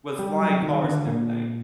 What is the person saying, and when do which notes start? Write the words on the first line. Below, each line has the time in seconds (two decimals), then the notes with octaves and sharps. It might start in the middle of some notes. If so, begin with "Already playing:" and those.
with flying cars and everything.
0.19 G3
0.41 F#3
0.63 D#3
0.84 D3
1.07 A#2